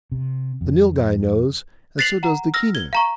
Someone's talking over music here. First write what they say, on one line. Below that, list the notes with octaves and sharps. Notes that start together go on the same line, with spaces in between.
'The Nilghai knows, and so does the Keneu.
C3
F2
F#6 A6 B6 C7 F7 F#7
F#5 A#5
E6 F6 A#6
G#6 G7
F5 A#5 C#6